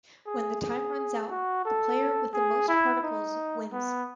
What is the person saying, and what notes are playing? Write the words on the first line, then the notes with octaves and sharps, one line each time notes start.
When the time runs out, the player with the most particles wins.
G#4
G#4
F#4
A4
G#4
E4
D#4
B3